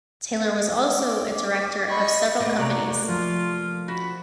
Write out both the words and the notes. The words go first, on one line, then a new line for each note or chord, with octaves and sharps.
Taylor was also a director of several companies.
D6
D#5 B5 C#6
A3 A#3 A#4
C3 F#4 D5 A#5
F3 F4
F#4 B5